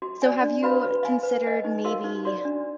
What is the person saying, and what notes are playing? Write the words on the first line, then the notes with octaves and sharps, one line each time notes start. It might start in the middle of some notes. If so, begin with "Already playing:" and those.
so, have you considered, maybe,
F#4
D5 G#5
D4
F#4 B4 F5 B5
B4
F5 G#5
B4
D#5 G#5
D#4
F#4 A#4 F5
D#4
F#4 D5
D4